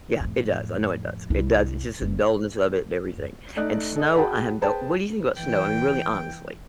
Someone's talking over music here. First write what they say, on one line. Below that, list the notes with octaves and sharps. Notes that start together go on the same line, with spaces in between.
Yeah, it does. I know it does. It does. It's just the dullness of it and everything. And snow, I have no What do you think about snow, I mean, really honestly?
F2 A2
C2 E4
F#1
A3 D#4 D5 D#5 F#6
A4 D5 D#5
F#4 G#4 F#5 G5 A5 B5
G#4 B4 C5 G5 A5
E3 G5